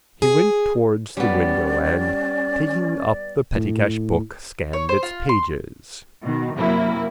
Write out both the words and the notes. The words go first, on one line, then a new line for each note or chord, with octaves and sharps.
He went towards the window and, taking up the pettycash book, scanned its pages.
G#4
G3 B3 C#4 D5
A2
C#5
C5
F4
C6
B2 D#3
F#2 C3 F#3 A#3 E4